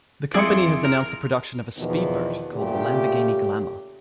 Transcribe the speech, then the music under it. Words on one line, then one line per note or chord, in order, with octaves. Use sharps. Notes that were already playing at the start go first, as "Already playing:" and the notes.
The company has announced the production of a speedboat called the Lamborghini Glamour.
F2 E4 G#4 D5 C6 C#7
A#4
E2 B2 D#3 F3 B3
A#2 C#3 A3 G4